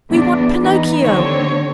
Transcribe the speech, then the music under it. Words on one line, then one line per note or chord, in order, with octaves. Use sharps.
We want Pinocchio!
E2 D4 D5
E3 B3 D#4
D#2 D3 C4 D4 C#5